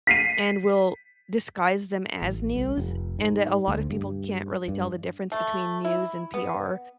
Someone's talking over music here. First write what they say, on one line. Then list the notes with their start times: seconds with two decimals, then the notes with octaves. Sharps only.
and will disguise them as news, and that a lot of people can't really tell the difference between news and PR
0.07 B6 C7 D#7
2.22 A1
2.55 C2
2.77 F1
3.19 G#2
3.68 D2
3.90 G2
4.68 G2
5.32 A3
5.85 E4
6.34 B3